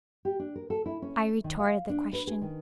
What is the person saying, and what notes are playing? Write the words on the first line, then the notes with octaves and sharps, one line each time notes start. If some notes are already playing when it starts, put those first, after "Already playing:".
I retorted the question.
G4
D4
A#4
A4
E4
C#4
D#3
F5
D4
B4
G#4
D#3